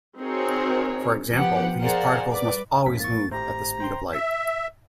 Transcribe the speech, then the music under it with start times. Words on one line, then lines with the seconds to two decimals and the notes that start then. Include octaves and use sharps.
For example, these particles must always move at the speed of light.
0.19 C4 D#4 F#4 G#4 A#4 C#5
1.33 F3 B3 G4 F#5
1.80 G#4 A#4 C5 D5 F5 F#5
2.31 G3 B4 D5 D6
2.86 A#1 F2 A2 C#4 B6
3.00 A#3 C#6 A6
3.31 G#1 A2 G4 C5 A#5
3.80 C5 G5 C6
4.11 E5